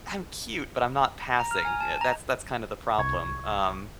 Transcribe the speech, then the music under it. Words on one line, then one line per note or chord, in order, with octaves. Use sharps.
I'm cute, but I'm not passing. Eh, that's that's kind of the problem. Um,
A#5
F6
G#5
A5
A#5
C2 C#6 G#6